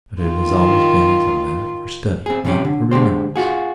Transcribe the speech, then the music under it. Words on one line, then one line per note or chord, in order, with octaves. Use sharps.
But it has always been as a matter for study, not for remembrance.
D#3 F4
C4 G#4
C3 F3 G3 B3 C#4 G4
D3
D3 G#3 G4 C5
F4 F#4 G#4